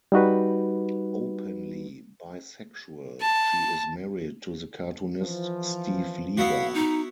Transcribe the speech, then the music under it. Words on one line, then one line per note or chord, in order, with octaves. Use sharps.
Openly bisexual, she is married to the cartoonist Steve Lieber.
G3 D#4 F#4 B4
A5
E3 F3
B3 E4 F#4 F5
D#4